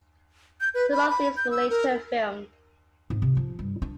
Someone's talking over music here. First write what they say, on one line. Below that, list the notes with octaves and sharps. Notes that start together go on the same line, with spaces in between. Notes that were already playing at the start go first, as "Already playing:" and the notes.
Some of these were later filmed.
G6
B4
B5
B5
G6
E6
A#4
G#2
C3
F3
G2
D4